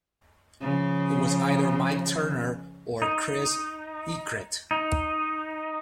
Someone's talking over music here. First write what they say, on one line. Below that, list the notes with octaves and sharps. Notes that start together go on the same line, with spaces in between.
It was either Mike Turner or Chris Eacrett.
C#3 F3
D#4
D#4